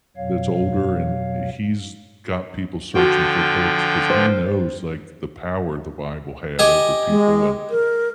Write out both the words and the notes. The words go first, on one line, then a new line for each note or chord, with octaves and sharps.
that's older and he's got people searching for books 'cause he knows, like, the power the Bible had over people and
F2 B2 F#3 C#5 F5
D3 F3 F#4 G5
C5
G4 D#5 G#5
G#3
A#4